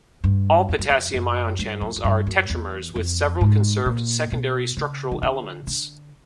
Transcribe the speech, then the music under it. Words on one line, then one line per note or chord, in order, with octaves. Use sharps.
All potassium ion channels are tetramers with several conserved secondary structural elements.
G2
F2
F#2
F2
F#2
G2
F#2
F#2
G2
F#2
E2
F2
G#2
A#2
B2
C#3
D#3
D3
D3